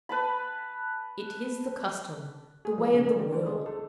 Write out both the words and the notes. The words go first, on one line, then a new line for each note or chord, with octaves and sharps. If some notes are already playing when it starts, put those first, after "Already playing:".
It is the custom, the way of the world!
B4 A5 B5
G#4
F3
C#3
D3
G4
D4
G#3
A4